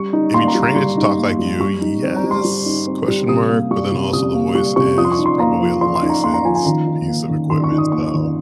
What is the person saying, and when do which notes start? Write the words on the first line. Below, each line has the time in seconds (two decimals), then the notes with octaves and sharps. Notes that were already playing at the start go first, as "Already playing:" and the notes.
If you train it to talk like you, yes, question mark? But then also the voice is probably a licensed piece of equipment. So
Already playing: G3 C#6
0.13 D#4
0.34 A#3 C6
0.48 A#5
0.55 G3
0.62 A#5
0.76 G3 C6
0.97 D#4
1.18 A#3
1.39 G3
1.60 G3 C#6
1.82 D#4
2.03 C4
2.16 A#5
2.24 G3
2.31 C6
2.44 G3
2.66 D#4
2.87 C4
3.08 G3
3.29 C3 D#6
3.49 A#3
3.71 G3 C#6
3.92 C3
4.13 C3 D#6
4.34 A#3
4.55 G3 C#6
4.76 C3 C#6
4.98 F3 D#6
5.05 C6
5.12 C#6
5.19 D#4
5.26 C6
5.39 A#3 A#5
5.60 F3
5.81 F3 C6
5.96 C6
6.03 D#4
6.10 A#5
6.23 A#3 C6
6.34 A#5
6.45 F3 G#5
6.55 G#5
6.65 D#3 A#5
6.87 D#4
7.08 A#3
7.29 D#3
7.50 D#3 C6
7.64 C#6
7.71 D#4
7.78 D#6
7.92 A#3 C#6
8.14 D#3